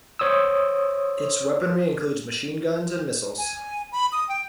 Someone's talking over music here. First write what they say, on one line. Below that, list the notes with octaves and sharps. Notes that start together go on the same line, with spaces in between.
Its weaponry includes machine guns and missiles.
C5 C#5 D#6 E6
G#5
B5
D#6
G5